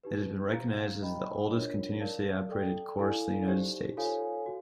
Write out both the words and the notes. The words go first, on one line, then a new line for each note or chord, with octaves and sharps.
It has been recognized as the oldest continuously operated course in the United States.
D#4 G4 B4
C5 F5 A#5
C5 D#5 G5 B5
D4 F4 A#4 C#5
A#4 D5 F5 A5
A4 D5 G5
E4 A4 D5 F5 G#5
D#4 G4 C5
F4 A4 C#5 F5 G#5
F#4